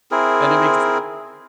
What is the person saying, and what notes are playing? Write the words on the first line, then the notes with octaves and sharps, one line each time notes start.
And it makes
C4 E4 G#4 A#4